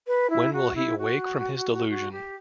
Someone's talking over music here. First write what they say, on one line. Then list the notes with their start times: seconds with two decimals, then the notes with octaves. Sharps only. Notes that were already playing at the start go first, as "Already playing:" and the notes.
When will he awake from his delusion!
0.07 B4
0.30 E4
0.53 F#4
0.75 E4
0.98 F#4
1.89 F#4
2.12 G4